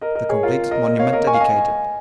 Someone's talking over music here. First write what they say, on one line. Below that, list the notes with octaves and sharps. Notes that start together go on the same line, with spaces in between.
The completed monument dedicated.
A#4 D#5
A#4 D#5
G#4 C#5
F4 A#4
A#4 D#5
C#5 F5
A#4 D#5
G#5 C#6
F5
D#5 G#5